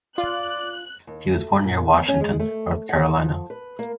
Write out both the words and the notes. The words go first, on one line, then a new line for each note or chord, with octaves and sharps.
He was born near Washington, North Carolina.
F4 D5 F#6
D#2
A3
A#2
B3
C#4
G#3
A3
F#5
F3
B4
A#3